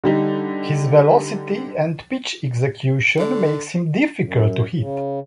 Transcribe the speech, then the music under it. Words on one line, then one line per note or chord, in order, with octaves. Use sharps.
His velocity and pitch execution makes him difficult to hit.
D3 G3 D#4
D3
F#2
C#3